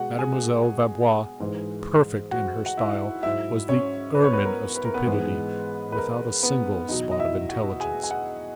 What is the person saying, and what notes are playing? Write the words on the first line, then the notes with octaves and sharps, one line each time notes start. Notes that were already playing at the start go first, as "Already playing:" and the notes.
Mademoiselle Vaubois, perfect in her style, was the ermine of stupidity without a single spot of intelligence.
Already playing: B2 G#3 F#4 F#5
G#4 G#5
G#2 E3 G#3
F#4 F#5
F#5
E4 E5
G#2 F#3 E4 E5
C#4 C#5
B4
C#5
B3 B4
A#4
B4
A#4
B3 B4
G#2 E3 G#3
B4
A#4
B3 B4
E2 B2 F#3 D#4 D#5
D#5
E4 E5
F#4 F#5
G#4 G#5
G#5
F#4 F#5